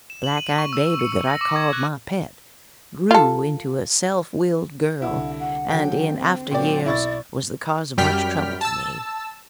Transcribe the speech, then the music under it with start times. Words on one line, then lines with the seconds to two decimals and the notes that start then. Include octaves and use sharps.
The black-eyed baby that I called my pet grew into a self-willed girl, and in after years was the cause of much trouble to me.
0.10 E7
0.24 F#7
0.37 D#7
0.58 C#6
0.73 E6
0.86 E6
0.99 C#7
1.12 E6
1.27 A#6
1.41 D6
1.56 G#6
1.73 F#6
3.11 F4 A4
5.02 C2 D3 E4 F#5
5.40 F#5
5.71 D3 F#3 G5
6.10 C4
6.51 A#2 F#3 C4 D5 G5
6.86 B1 E4 D5 C#6 A6
7.98 F#2 G3 G5 F6 B6
8.61 A5 E6